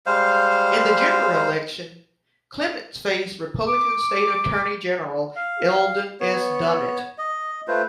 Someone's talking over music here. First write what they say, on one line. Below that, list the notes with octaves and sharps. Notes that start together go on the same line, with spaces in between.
In the general election, Clements faced Republican state attorney general Eldon S. Dummit.
G3 G#3 C5 F5
D6
F5
B3 C#5
D#5
A3 F4 B4 C5